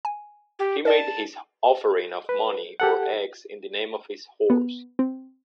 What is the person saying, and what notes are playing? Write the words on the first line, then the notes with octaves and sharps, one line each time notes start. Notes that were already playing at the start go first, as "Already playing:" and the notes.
He made his offering of money or eggs in the name of his horse.
G#5
G4
A#4 D5 A5
B4
G4 A4 F#5
B3
C4